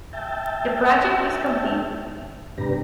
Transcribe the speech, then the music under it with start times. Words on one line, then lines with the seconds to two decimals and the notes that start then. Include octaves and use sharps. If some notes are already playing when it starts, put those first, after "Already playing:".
The project is complete.
0.13 E5 G5 A5
2.58 G#2 C3 D4 G4 B4 A#5